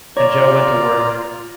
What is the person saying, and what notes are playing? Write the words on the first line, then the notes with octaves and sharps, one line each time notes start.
And Joe went to work.
F4 C#5 D5 A#5